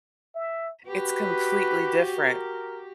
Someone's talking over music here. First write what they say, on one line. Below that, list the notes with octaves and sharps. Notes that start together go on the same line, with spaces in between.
it's completely different
E5
F#4 G4 B4
A#4